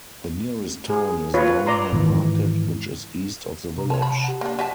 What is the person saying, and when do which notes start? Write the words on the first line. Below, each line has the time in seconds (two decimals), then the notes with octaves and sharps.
The nearest town is Downham Market which is east of the village.
0.90 G#4
1.34 F4 B4 C#5
1.66 D5 A#5 C6
1.92 G#2 D#3 E3
3.76 C3 A#5
3.90 C#5 A5
4.02 A5 B5
4.24 G4 F#5
4.41 A#3 D4
4.59 F#3 E5 A5